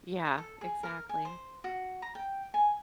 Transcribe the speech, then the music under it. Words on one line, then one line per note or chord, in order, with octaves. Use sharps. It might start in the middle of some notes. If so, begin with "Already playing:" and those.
Yeah, exactly.
A4
G#4
A#4
G#5
C5
F#4
A#5
G5
G#5